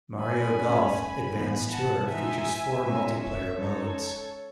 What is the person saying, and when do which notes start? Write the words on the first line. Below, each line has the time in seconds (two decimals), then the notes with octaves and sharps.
"Mario Golf: Advance Tour" features four multiplayer modes.
0.19 G#5 B5
0.57 D#3 A3 C#4
1.32 A2 E3 B3
1.70 F#5 A5
2.07 E3 G#3 D#4 E5 G#5
2.83 B2 G#3 C#4 E5 G#5
3.20 C#5 E5
3.58 C#3 G#3 D#4 A4 C#5